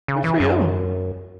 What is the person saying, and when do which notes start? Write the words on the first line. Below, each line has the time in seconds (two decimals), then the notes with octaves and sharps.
Good for you.
0.08 C#3
0.24 E3
0.40 F#2